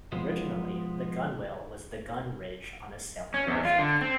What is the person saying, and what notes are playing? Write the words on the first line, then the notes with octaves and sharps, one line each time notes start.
Originally the gunwale was the "gun ridge" on a sailing warship.
F3 G#3 B3 C5
C#4
E2
F4
D3
C4